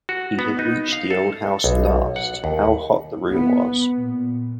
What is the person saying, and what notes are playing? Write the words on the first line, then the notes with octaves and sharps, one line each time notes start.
He had reached the old house at last — how hot the room was.
F#4
B3
D#4
F5
A4
B1
F#5
D#2
B3
A#2